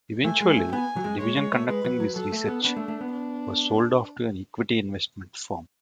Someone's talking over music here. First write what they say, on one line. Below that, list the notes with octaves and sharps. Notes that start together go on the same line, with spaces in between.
Eventually, the division conducting this research was sold off to an equity investment firm.
A3 G#5
G#3
A3
B3 G#5
F#3
G#3
G#3 C#5
G#3
A3
G#3 B4
F#3
F#3
F#3 A4
A3
B3
B3 D4
A3
A3
B3
D4